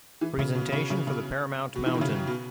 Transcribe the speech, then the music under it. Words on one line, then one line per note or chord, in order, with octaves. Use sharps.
Presentation for the Paramount mountain.
E3
C#3
B2
C#3
C#3
C#3
B2
E3
D#3
C#3
B2